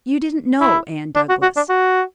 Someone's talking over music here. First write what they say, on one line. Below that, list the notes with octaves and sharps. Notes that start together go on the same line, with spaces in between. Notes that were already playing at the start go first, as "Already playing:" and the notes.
You didn't know Anne Douglas?
E4
D4
F#4
F#4
D4
F#4